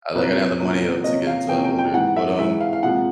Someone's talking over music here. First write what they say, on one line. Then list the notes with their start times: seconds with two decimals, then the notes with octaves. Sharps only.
I, like, I didn't have the money, uh, to get into older, but, um,
0.15 C2 A#2 F#3 B4
0.60 C2 A#2 F#3
1.04 C3 F3 A#3 C#4 D#5
1.27 F5
1.49 C3 F3 A#3 C#4 G5
1.64 G5
1.79 G5
1.94 G#2 E3 G#3 F#5
2.16 E5
2.39 G#2 E3 G#3 E5
2.61 F5
2.73 F5
2.83 C2 A#2 F3 G#3 F#5